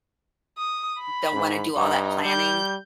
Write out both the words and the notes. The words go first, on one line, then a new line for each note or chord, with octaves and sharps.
don't want to do all that planning
D#6
B5
G#2
G2 D#4
G3 G6